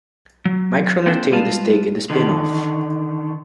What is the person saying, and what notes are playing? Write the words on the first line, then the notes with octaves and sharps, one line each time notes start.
Micron retained a stake in the spinoff.
F#3
A#3 C4 D4 A4 C5
G3 G#3 F4 B4 F5 A5
D3 D#3